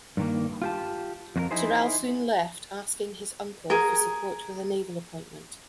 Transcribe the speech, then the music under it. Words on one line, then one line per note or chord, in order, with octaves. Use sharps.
Tyrrell soon left, asking his uncle for support with a naval appointment.
G2 D#3 A#3
F4 G4 A5
F2 F#4 A#4
D#4 E4 G#4 C5
G#4 A#4